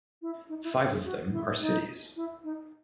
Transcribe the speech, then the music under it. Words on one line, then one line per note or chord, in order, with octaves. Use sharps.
Five of them are cities.
E4
D#4
E4
G#4
F#4
E4
D#4
E4
D#4